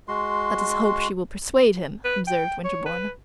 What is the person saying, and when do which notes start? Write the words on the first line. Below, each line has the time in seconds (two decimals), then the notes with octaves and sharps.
"Let us hope she will persuade him," observed Winterbourne.
0.08 G#3 F#4 C6
2.05 B4
2.27 G5
2.65 C#5
2.86 B4